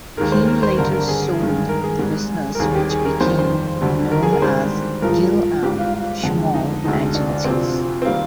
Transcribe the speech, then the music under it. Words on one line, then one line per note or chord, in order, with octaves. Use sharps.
He later sold the business, which became known as Gill and Schmall Agencies.
D#2 D#3 G#3 A#4
C5
A#4
C5
G2 D3 G3 A#4
A#4
G#4
G2 D#3 G#3
A#4
G#4
G#2 G3
A#4
D#2 D#3 G3 G#4
G4
G#4
A#4
F2 D#3 G3 C5
C5
D2 D3 G3
A#4
G#4
A#4
G#2 D#3 G3 C5
G2 F3 G#3 A#4
G#2 G3 G4
F4
F4
F2 D3 G#3
D#4
D2 D3 G#3 D#4
D4
D4
D2 C3 F3 C4
C4
D#3 G3 A#3